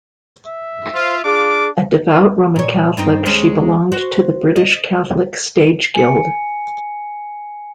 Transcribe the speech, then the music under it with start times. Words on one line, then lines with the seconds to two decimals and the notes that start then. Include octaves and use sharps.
A devout Roman Catholic, she belonged to the British Catholic Stage Guild.
0.46 E5
0.94 F4 C5
1.24 D4 F4 G#4 D6
2.56 A#2 C#5
2.97 G2 C4 D#4
3.26 D#2 G#3 C#4
3.92 F#4 C5
4.56 D#5
5.94 G#5 C#7